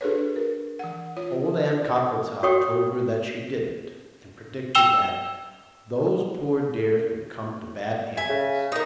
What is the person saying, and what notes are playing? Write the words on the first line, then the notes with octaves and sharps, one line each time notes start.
Old Aunt Cockletop told her that she didn't, and predicted that 'those poor dears would come to bad ends.'
D4 F#4 G#4 A4 B4 C#5
A#4
E3 F#5
F4 C#5
F#4 C#5 G5 C#6 D#6
G5 E6 E7 F7 G7
E5 G#5
C#3
D#4 A#4